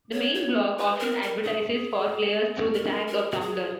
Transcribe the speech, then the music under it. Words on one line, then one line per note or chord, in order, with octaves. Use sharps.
The main blog often advertises for players through the tags of Tumblr.
C#5
C#5
B4
A#4
A#4
G#4
A#4
A#4
F#4
G#4